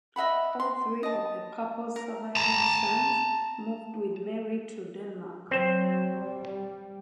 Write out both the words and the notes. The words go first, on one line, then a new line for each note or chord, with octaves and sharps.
All three of the couple's surviving sons moved with Mary to Denmark.
D#5 E5 F#5 B5
C6
D#5 A5
A#4
A5 A#5
F#3 C4 C5
G3